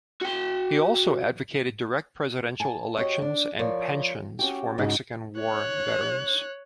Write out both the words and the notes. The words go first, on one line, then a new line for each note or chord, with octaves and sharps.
He also advocated direct presidential elections and pensions for Mexican War veterans.
F#4 G5
G#5 A5
F#4 G4 C#5 D#5
D4
F3 A#4 C#5 D5
C#4 F#4 G4
G#2 C#3 D#4 F#4
C#5 F#6